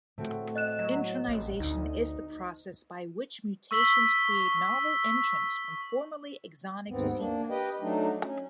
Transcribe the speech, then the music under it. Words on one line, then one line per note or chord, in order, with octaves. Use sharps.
Intronization is the process by which mutations create novel introns from formerly exonic sequence.
A2 A3 C4 F#4
D#5 F#6 E7
F#3
A1
D2 D#4
C#6 E6 B6 F#7 G7
D#2 G#2 B3 C4
A#3 D4
G4 B4 D#5 G5
F#3 A3 D4 D#4
C#4